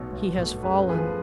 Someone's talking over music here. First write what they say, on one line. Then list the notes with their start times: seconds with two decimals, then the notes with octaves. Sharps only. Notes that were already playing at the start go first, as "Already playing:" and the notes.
He has fallen.
Already playing: B1 B2 A3 A4 C#5
0.13 B1
0.38 B2 A3
0.63 F#2 G#4 B4
0.89 A3 G#4 B4
0.92 F3